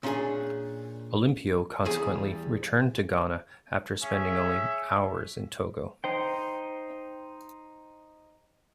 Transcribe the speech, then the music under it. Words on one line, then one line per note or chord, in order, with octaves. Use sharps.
Olympio consequently returned to Ghana after spending only hours in Togo.
A#2 C#4 D4 G#4
E2 G3 G#4 G#5
C#4 G#4 E5
D#4 C5 G5